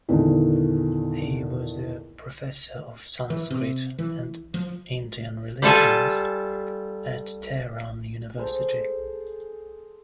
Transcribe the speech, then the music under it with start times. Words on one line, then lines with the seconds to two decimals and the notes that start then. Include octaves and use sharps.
He was a Professor of Sanskrit and Indian religions at Tehran University.
0.09 E2 A#2 D3 D#3
3.30 E3
3.50 C3
3.98 E3
4.54 F3
5.62 G3 F4 A4 G#5
8.37 G#4 A4 C5